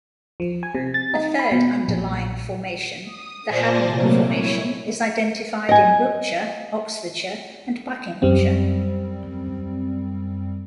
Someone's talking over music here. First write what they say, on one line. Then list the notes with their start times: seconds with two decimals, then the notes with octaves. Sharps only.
A third underlying formation, the Haddenham Formation, is identified in Wiltshire, Oxfordshire and Buckinghamshire.
0.40 F3
0.63 G#5
0.75 C3
0.94 A6
1.14 D#4
1.39 B5
1.52 B2
1.88 A#1
3.04 D#6
3.45 A#2 C5 D5 G#5 A5 A#6
3.87 C3 F#3 G3 A3 A#3
4.29 E4 C#5
5.69 D#5 G#5
8.22 F#2 G3 C4